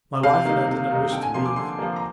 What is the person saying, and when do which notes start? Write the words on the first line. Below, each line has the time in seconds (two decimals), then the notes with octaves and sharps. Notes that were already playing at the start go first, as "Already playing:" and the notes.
My wife and I did not wish to leave.
0.23 C3 F5
0.45 D#3 G3 A#3 D#4
0.67 C3
0.90 D#3 G3 A#3 D#4
1.12 D3 G5
1.23 G#5
1.34 F3 A#3 C6
1.46 D6
1.56 D3 C6
1.79 F3 A#3
1.96 A#5